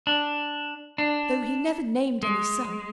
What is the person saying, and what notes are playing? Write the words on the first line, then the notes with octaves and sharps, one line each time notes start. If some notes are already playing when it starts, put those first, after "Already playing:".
Though he never named any sum.
D4
D4
G#3